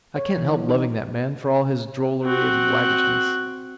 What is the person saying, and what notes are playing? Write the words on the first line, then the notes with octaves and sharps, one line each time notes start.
I can't help loving that man, for all his drollery and waggishness.
C#5
E3
D#4
C4 F#4 F#6